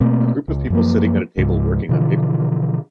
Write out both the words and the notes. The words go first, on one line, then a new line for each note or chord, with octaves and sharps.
A group of people sitting at a table working on paperwork.
B2 A3 A#3 C4
C#2
F#2 F3 A#3
C#2 G#2 F3
B2 D3 E3 F3